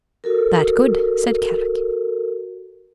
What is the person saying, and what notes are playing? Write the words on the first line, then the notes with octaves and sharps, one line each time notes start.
"That good," said Kadok.
F#4 A4 A#4